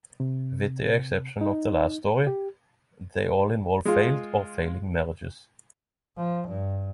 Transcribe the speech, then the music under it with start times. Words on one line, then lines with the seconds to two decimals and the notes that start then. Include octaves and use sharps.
With the exception of the last story, they all involve failed or failing marriages.
0.20 C3
1.41 D#4
2.27 G4
3.85 G#3 F4
6.17 F3
6.48 G2